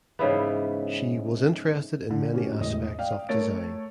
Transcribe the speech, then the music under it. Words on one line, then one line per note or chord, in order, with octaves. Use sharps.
She was interested in many aspects of design.
G#2 C#3 E3 B3
D3
A2 C#4 F#4 G4
E1 A2 D#5 D#6
D5 F5 G5
A3 A#4 C#5 A6 D7